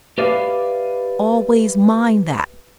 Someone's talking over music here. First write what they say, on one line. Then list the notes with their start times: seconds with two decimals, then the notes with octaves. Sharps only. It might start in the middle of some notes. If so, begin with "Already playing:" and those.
Always mind that.
0.18 G4 B4 D5 E5 F5